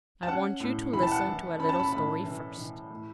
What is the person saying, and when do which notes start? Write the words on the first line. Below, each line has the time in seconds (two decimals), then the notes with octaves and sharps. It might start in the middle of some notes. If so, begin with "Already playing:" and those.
"I want you to listen to a little story first."
0.23 A5
0.28 C#4 F#5
0.60 A2
0.93 E3 B5
1.03 A5
1.12 F#5
1.21 A5
1.27 E3
1.59 C#4 B5
1.69 A5
1.80 B5
1.92 A2 B5
2.24 E3
2.58 E3
2.91 A2